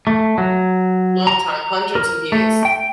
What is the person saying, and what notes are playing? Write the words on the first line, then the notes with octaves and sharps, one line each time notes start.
Long time, hundreds of years.
A3
F#3
A#5
A#4
A3
G5